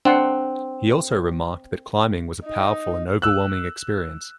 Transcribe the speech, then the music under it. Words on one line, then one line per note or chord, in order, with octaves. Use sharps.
He also remarked that climbing was a powerful and overwhelming experience.
C4 D4 F#5 C6
D#4
E6 F#6